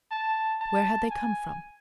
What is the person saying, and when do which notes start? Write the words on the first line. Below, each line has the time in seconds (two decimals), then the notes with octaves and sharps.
Where had they come from?
0.11 A5
0.61 A5
1.11 G#5